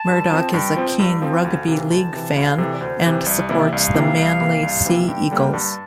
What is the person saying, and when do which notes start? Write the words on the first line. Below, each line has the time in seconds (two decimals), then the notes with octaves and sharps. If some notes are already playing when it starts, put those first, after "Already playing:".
Murdoch is a keen rugby league fan and supports the Manly Sea Eagles.
Already playing: A5
0.08 G2
0.31 F3 C4
0.53 G2 G5
0.76 F3 C4
0.99 G2 F5
1.22 F3 C4
1.44 D2
1.67 C3 E3
1.90 D2 A5
2.13 C3 E3
2.36 D2 F5
2.58 C3 E3 A4
2.73 D5
2.81 D2 C5
3.04 C3 E3
3.21 C5
3.26 C2 D5
3.49 C3 E3 A#3 E4
3.72 C2 F5
3.94 C3 E3 A#3 E4
4.17 C2
4.40 C3 E3 A#3 E4
4.63 C2
4.85 C3 E3 A#3 E4
5.08 G2 G5
5.31 D3 G3 A#3
5.53 G2 A5